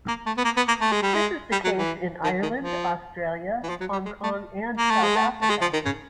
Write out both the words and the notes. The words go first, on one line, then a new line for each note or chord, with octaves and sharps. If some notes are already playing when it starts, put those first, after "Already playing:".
This is the case in Ireland, Australia, Hong Kong and South Africa.
A#3
A3
B3
A#3
B3
A#3
A3
G#3
G3
G#3
G3
F#3
E3
D#3
D#3
F3
E3
F3
F#3
G3
G#3
A3
A#3
A3
G#3
A3
A3
G#3
F3
D#3
C#3